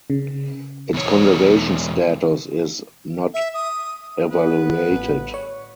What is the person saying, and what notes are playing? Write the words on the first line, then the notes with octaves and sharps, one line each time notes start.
Its conservation status is "Not Evaluated".
C#3
E2 B2 C#5
E5
D#6
G1 B3 B4
A1
C#5